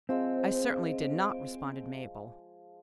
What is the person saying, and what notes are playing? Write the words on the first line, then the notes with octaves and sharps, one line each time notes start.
"I certainly did not," responded Mabel.
F3 G#3 C4 E6